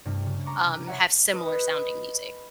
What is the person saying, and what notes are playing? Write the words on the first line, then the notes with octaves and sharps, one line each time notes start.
um, have similar sounding music.
G2 C3 A3
C#3
A#5 C#6 D6
C3
C#5 E5 F#5 A#5
B4 D#5